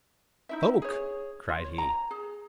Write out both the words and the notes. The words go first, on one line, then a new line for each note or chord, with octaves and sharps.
"Folk?" cried he.
D#4 E4 E5
G#4 C#5
F4
C#5
A#5
G#4